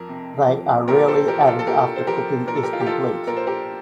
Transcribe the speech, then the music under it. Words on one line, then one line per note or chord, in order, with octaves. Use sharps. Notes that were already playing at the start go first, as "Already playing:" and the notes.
They are rarely added after cooking is complete.
Already playing: F2 A#4
C3
F2
A#2 G4 A#4
A4 C5
F3 G4 A#4
F4 A4
A4
A#2 G4 A#4
C5
F3 G4 A#4
A#2 A#4
A4
G4 A#4
F4
G4
F3 F4 A4
A#2 A#4
C5
G4 A#4